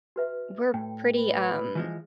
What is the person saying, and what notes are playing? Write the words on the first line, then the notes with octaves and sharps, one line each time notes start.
we're pretty, um
F#4 B4 E5
A2 G5
B4
E3 F3 G#3